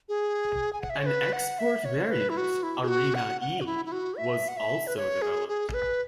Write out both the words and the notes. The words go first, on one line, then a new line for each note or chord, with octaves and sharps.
An export variant, "Arena-E", was also developed.
G#4
G#5
F#5
E5
C#5
B4
F#5
E5
C#5
B4
E4
F#4
E4
G#4
F#4
F#5
F#5
F#4
E4
E4
F#4
E5
F#5
E5
B4
C#5
G#4
G#4
G#4
B4